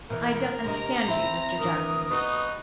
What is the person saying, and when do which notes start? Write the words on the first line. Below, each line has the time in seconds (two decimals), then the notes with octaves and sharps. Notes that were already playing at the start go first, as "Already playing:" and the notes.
'I don't understand you, Mr Jackson.'
0.10 B2 E3 A#4
0.64 D2 C3 D#5 A#5
1.08 C4 E4 E5
1.59 D2 E3 A#4 D#6
2.11 B3 D#4 F#4